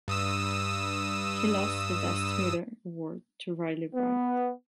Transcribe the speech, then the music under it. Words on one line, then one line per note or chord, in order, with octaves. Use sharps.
He lost the Best Twitter award to Riley Reid.
G2 D#6 E6
B3